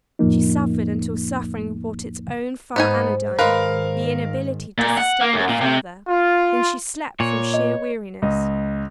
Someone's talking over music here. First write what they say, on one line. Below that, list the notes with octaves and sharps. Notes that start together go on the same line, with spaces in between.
She suffered until suffering brought its own far anodyne--the inability to sustain it further,--then she slept, from sheer weariness.
F2 A2 F3 A#3 D#4
G#2 B3 D#4 C5 G#5
G#2 D#3 G#3 A#4 B4 F5
A#2
F#5
A#3
F#2
A#2
C3
F4
A#2 C#5
D#5
C#2 D#5